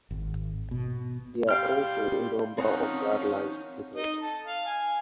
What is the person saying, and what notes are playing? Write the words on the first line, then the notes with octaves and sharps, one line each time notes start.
There are also a number of guidelines stated.
G#1
B2
G3 F5 G5 C6 F6
D#3 F3 C4 C#4 D#4 F#5
D#4
A4
F5
G#5